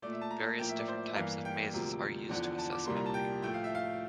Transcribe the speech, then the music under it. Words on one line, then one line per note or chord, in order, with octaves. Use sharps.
Various different types of mazes are used to assess memory.
A#2 A3 D5
E5
A5
A#5
A2 F3 A#3 G5
E5
D5
C5
D5
E5
G2 E3 A#3 F5
G5
D2 C3 F3 A#3
E2 D3 F3
A5
D6
C2 A#2 G3 A#3 C6
A#5
A5
G5
A2 F3 A3 G5
F5
E5
F5